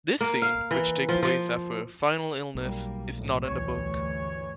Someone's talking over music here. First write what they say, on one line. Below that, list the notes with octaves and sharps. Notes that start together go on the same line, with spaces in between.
This scene, which takes place after her final illness, is not in the book.
A#3
F5
E3
F3
F3
B1 G3 A#3
F2 A2
D2 G2 E3 C#5